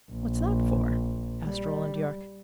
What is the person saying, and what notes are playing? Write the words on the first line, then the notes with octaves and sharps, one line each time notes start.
"What's that for?" asked Roland Yorke.
A#1
G3